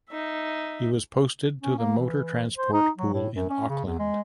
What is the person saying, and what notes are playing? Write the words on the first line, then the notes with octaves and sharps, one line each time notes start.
He was posted to the Motor Transport Pool in Auckland.
D#4 E5
C#4
A#3
E3
C5
D#4
F#3
A2
F#2
C#4
C#3
E2
G#3